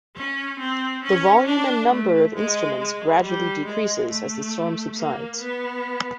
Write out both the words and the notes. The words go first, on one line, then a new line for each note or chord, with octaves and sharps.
The volume and number of instruments gradually decreases as the storm subsides.
C#4
C4
C#4
D4
A3
G#3
G#3
G3
G#3
A3
A#3
B3